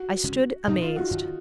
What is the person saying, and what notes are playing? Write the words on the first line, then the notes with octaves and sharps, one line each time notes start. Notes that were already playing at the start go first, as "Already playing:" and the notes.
I stood amazed.
Already playing: F#4
C#3 G#3 C#4
A#2 F3 C4 D#4
F4
F#4
F#2 D#3 F#3